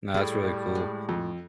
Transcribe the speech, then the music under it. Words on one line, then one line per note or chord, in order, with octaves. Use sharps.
Nah, that's really cool.
A2 G3 G#4 A4
G#3
F2